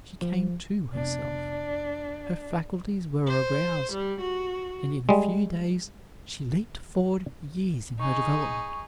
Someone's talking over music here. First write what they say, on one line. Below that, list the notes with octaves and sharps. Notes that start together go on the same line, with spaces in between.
She came to herself; her faculties were aroused, and in a few days she leaped forward years in her development.
F3
F1 C3 B3 D4
C5
G3
F#4
G3 G#3
D#4 G#4 C#6